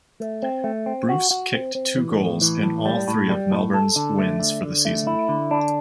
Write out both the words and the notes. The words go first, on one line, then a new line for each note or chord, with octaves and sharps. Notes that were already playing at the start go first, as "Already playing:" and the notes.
Bruce kicked two goals in all three of Melbourne's wins for the season.
A3
C4
A3
C4
F#4
F#4
C4
C4
E3
A2
E3
A2
G3
A2
G3
A2
A4
D3
A3
D3
D3
A3
E4
D3
D4